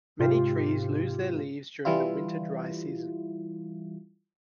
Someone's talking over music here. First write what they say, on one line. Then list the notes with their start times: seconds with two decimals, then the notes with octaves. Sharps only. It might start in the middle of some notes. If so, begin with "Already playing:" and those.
Many trees lose their leaves during the winter dry season.
0.19 G#2 C3 F4 G4
1.85 E3 G3 E4 F4